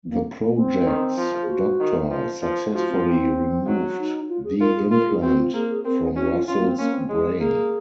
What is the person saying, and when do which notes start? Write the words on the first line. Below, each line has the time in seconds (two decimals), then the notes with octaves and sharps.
The project's doctor successfully removed the implant from Russell's brain.
0.09 A#3
0.40 A#3
0.56 C4
0.86 D#3
1.17 F3
1.43 G#4
1.49 F#4
1.80 D#3
2.11 F3
2.42 F3
2.73 F3 F#4
2.89 C4
3.05 C4
3.67 F#3
3.98 D#4
4.29 F4
4.44 G#4
4.60 F4 A#4
4.76 G#4
4.91 F4 A#4
5.07 G#4
5.22 C4 F#4
5.39 F4
5.54 A#3 G#4
5.69 G#4
5.84 C4 A#4
6.00 G#4
6.16 C#4 F#4
6.31 F4
6.47 C#4 F4
6.58 A#3
6.67 C4
6.78 A#3 C#4
6.93 C4
7.09 G#3 G#4
7.40 A#3 G#4